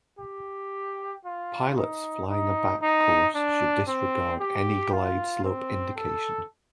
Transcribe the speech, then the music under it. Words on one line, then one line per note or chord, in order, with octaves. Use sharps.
Pilots flying a back course should disregard any glide slope indication.
G4
F4
D#4
D#4
D#4
D4
C4
G4
F4
C4
A4